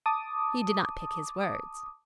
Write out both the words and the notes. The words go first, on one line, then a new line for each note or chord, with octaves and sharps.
He did not pick his words.
A5 D6 D#6